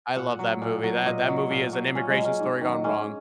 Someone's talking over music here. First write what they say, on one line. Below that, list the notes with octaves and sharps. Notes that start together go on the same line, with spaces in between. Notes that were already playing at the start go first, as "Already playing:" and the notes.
I love that movie, that that movie is an immigration story gone wrong.
A#2 F#5
F#3
A#2
F#3
A#2 D#5
F#3
A#2
F#3
A#2 C#4
G#3
F#3
C#4
G#2
D#3 F#3
G#2 C#4